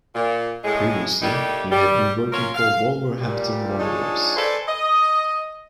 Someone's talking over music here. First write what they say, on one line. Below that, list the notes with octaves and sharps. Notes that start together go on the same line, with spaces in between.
Previously he had been working for Wolverhampton Wanderers.
A#2
A2 G#3
G3 A3 A#3 D#4 E4 G4
G3
F#3 C#4 F4 A#4 C#5
F5
A#2 G3
G#3 D4 D#4 F4 C#5 A5
A4 B4 C5 D5 G#5
D#5